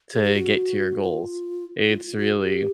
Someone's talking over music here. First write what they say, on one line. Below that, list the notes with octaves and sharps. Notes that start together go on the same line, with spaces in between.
to get to your goals. It's really
G#4
G4
F#4
F4
F4
F4
F#4
G4